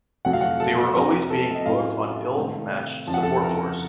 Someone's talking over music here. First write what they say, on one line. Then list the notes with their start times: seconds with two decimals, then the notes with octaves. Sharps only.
They were always being booked on ill-matched support tours.
0.25 F2 C3 F#3 A3 F#5
0.33 F5
0.41 F#4 F#5
0.60 A4 A5
0.95 F2 C3 F#3 C4 A#4 A#5
1.30 A4 A5
1.55 D#5
1.66 A2 F#3 A3 C#4 F4 F5
2.36 C3 D#3 A3 C4
3.07 F2 C#3 F3 A5
3.14 F#5
3.23 A4 A5
3.42 A#4 A#5